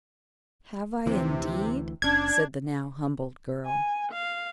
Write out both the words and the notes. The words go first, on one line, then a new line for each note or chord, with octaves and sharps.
"Have I indeed?" said the now-humbled girl.
D2 C3 E3
F#1 C#4 D4 G#6
G#5
F5